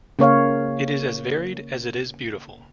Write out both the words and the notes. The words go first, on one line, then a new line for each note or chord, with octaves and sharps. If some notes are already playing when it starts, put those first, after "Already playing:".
It is as varied as it is beautiful.
C#3 A#3 C#5 F5